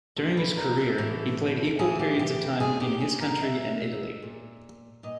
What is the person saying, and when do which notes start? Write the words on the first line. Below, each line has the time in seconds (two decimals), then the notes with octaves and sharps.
During his career, he played equal periods of time in his country and Italy.
0.16 A#2 A4
0.37 B4
0.57 A#4
0.77 A4
0.98 A2 E3
1.79 A2 E3 G#4
1.99 G4
2.19 G4
2.60 A#2 G#4
2.80 G4
3.00 G#4
3.21 A#4
3.41 B2 E5
3.82 E5
4.22 A#2
5.03 A#2 D#5